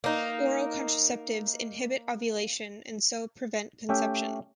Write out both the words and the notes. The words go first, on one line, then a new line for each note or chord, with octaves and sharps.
Oral contraceptives inhibit ovulation and so prevent conception.
A#3 D#4
A3 C#4 G4 E5 G5